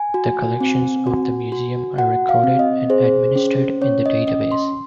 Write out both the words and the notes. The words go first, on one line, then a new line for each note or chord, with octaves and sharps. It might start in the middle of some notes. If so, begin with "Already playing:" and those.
The collections of the Museum are recorded and administered in the database.
Already playing: G#5
F#4
C4
F#4
F#4
F#4 F#5
F5
C4
D#5
G#4 C5
C#4
C#4 C#5
D#5
C#4 D#5
C6